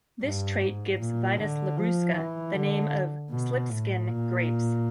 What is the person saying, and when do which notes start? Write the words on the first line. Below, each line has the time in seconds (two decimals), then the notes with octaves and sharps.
This trait gives "Vitis labrusca" the name of "slip skin" grapes.
0.22 G2
0.61 G#2
1.00 A#2
1.38 D3
1.77 F3
2.15 E3
2.54 D3
3.31 B2
3.70 A2
4.08 A#2